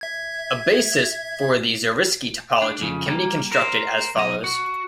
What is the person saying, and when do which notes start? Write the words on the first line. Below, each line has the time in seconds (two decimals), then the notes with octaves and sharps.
A basis for the Zariski topology can be constructed as follows.
0.01 E5 G#6
2.62 D4
2.81 F2 C#3
3.07 G3 A#3
3.52 A#4 C5
4.16 B1 D#5
4.44 F#4